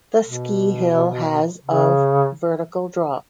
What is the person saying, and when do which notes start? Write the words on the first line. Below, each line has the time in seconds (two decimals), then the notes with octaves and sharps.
The ski hill has of vertical drop.
0.24 B2
1.65 C#3